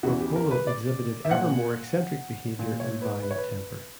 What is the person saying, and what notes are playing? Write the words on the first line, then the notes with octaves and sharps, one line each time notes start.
Roppolo exhibited ever more eccentric behavior and violent temper.
E2 C#3 E3 F#4
G4
A#4
B4
D5
E5
A#2 F#5
A#2
C#5
B4
B4
C#5
B4